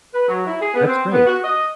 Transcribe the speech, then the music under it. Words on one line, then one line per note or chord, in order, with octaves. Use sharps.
That's great.
B4
F#3
E4
G#4
B3
C4
B3
F#4
D#5